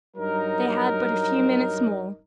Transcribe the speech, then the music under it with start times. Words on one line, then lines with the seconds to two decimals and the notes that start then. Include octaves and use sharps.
They had but a few minutes more.
0.17 G2 F#3 D#4 A#4